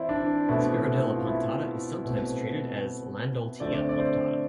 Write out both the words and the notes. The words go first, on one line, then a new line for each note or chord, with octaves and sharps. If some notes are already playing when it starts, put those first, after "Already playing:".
"Spirodela punctata" is sometimes treated as "Landoltia punctata".
Already playing: E3 C4 E4 C5 D5
D4
B2 A3 C4 E4
E4
F4
E4
B2 A3 C4
D3 A3 C4 D5
D5
D5
C5